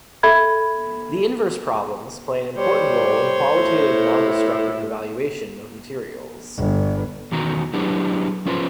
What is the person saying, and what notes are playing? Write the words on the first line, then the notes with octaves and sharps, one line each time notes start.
The inverse problems play an important role in qualitative nondestructive evaluation of materials.
A4 E5 B5 G#6
G3 C5 C#5
A2
G1
E2 B2 D#3 D#4 F#4 A#5
F#3 D4 E4 G4 G#4 B4
F3 C#4 F4 B4 C5